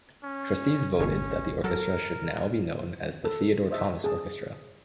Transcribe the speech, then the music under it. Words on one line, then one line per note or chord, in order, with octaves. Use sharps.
Trustees voted that the Orchestra should now be known as 'The Theodore Thomas Orchestra.
C#4
G1 D2 C#4 C#5
F#3 A4 A#4
A4
C5 D#5 E5
G#4 A5